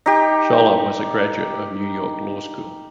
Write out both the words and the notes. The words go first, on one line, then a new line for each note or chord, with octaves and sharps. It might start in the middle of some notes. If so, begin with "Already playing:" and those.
Scholer was a graduate of New York Law School.
D#4 G4